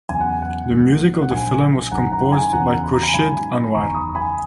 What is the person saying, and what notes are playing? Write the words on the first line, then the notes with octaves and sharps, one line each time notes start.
The music of the film was composed by Khurshid Anwar.
E2 C#3 F#3 B3 G#5
F#5
F#5
A#1 G#2 D#3 A#3
F#5
A#1 A#2 F#3 G#5
F#1 F#2 D#3 F#5 A#5
F#5 A#5
G#5
E2 C#3 E3 B3 F#5 A#5
B5
A#5
G#5 B5
G#2 D#3 F#3 C#4 G#5 B5
F#1 E2 D#3 A#5 C#6
B5 D#6
G#5 B5